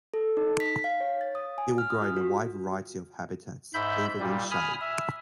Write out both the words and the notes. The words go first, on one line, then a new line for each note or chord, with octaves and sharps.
It will grow in a wide variety of habitats, even in shade.
A4
D#4
B6
F5
C#5
A6
D#6
G#5
F6
D#6
F4
F#4
G#2 E5 B5 G6
A#2 G3
G#5 B5 D#6 F6
E5